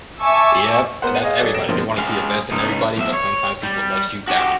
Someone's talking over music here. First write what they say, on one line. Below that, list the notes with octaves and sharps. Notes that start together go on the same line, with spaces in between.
Yep, tha that's everybody, they wanna see the best in everybody, but sometimes people let you down.
E5 G#5 A5 C#6 D6 E6
B3 A#4 C5 F#5
G#4 C#5 D#5 F5
F#3 G#4 A4 C#5 D5
D#1 A#6 D7 E7
G2 B2 D3 F3 A#3 C4
G#3 F5
C#2 D#4
B1 E5
C#5
G3
F#4 G4